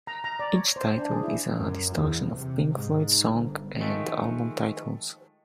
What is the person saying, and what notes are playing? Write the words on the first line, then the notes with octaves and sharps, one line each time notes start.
Each title is a distortion of Pink Floyd song and album titles.
A#5
A#5
D5
C#5
C5
D4
G#4
E4
F#2
E2
C3
G#2
G1
D#3 F3 G#3 A3